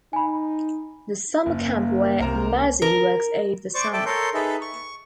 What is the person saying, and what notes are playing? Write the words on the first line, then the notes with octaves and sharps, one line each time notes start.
The summer camp where Maddie works over the summer.
D#4 G#5 B5
F#1 A#3
C2 C3 A#4 C5 A#5
A#4
C5 D5 C#6 D6
A4 D5 E5 G5 A5
A4 A#4 C#5 C6 G6
D#4 G#4 A4 B4 E5
C#6